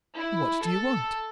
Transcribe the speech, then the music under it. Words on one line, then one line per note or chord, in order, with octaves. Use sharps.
"What do you want?"
E4
A4